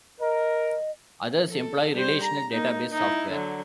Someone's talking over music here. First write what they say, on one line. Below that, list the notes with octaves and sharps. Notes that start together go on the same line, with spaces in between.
Others employ relational database software.
A#4 D#5
A4
G3 C5
A#5
A#3 D#4
D#4 E4
D3 F#3